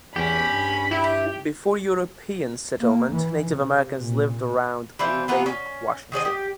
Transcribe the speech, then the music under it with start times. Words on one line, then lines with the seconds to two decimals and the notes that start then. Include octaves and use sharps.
Before European settlement, Native Americans lived around Lake Washington.
0.16 E2 C#4 G4 B5
0.52 G2
0.91 E4 G4
2.80 A#3
3.12 E3
3.51 C3
3.97 A#2
4.99 E3 C4 F4 E5
5.28 E3 B3 F4 A#5
5.46 C#4
6.12 D#3 G#3 D5 D#5
6.25 G4